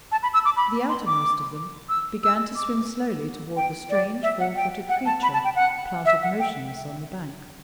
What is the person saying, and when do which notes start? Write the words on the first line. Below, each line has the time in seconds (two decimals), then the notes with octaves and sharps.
The outermost of them began to swim slowly toward the strange four-footed creature, planted motionless on the bank.
0.12 A5
0.23 B5
0.34 E6
0.45 D6
0.57 B5
0.89 C6
1.07 D6
1.89 E6
2.23 E6
2.56 D6
3.56 G5
3.90 D5
4.23 E5
4.40 F#5
4.56 G5
4.89 F#5
5.06 A5
5.23 B5
5.33 A5
5.44 G5
5.56 F#5
6.05 E5
6.22 F#5
6.39 G5